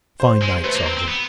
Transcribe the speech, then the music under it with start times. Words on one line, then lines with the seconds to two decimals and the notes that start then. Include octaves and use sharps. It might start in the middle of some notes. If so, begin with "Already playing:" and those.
'Fine night, sergeant.'
0.20 C5
0.42 G#3 C5
0.58 C5
0.64 A3 B4
0.75 A#3
0.86 C4
0.98 C4
1.08 B3